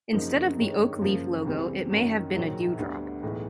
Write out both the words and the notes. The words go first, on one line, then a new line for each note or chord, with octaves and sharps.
Instead of the Oak Leaf logo it may have been a dew drop.
F#2 C#3 F3 A#3 D#4
G2 D#3 G#3 C#4
F#2 C#3 F3 A#3
C#2 C3 E3 G3 C4
F#2 D#3 F#3
A#1 G#2 D#3 F#3
D2 D3 G3 B3
B1 A2 E3 G#3 B3